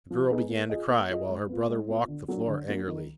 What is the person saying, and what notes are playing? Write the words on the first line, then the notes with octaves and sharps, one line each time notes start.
The girl began to cry, while her brother walked the floor angrily.
F3
B3 D#4 G#4
A#3
F4 G#4 D#5
A#3
F4 G#4 D#5
G#3
B3 F4
G#3
B3 F4
D3
F#3 A#3 D4
D3
F#3 A#3 D4
D#3